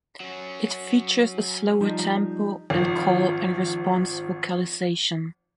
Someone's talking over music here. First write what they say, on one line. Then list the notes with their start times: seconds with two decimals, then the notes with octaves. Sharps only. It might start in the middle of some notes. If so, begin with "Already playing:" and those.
It features a slower tempo and call and response vocalization.
0.20 F#3 C#4
1.81 F3 G3 D#4
2.70 G#1 F3